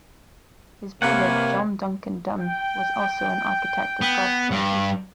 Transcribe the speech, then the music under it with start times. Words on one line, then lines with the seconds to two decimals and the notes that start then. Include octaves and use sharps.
His brother John Duncan Dunn was also an architect of golf courses.
1.02 C3 A#3 B4 C#5 F#5
2.39 G5
4.02 B3
4.51 G2